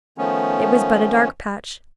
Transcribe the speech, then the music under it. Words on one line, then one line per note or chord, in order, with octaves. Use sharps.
It was but a dark patch.
D#3 F3 A3 B3 C#4